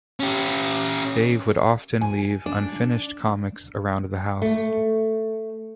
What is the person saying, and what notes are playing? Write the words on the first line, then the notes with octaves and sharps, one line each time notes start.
Dave would often leave unfinished comics around the house.
C#4 G4
G#5
D4
A3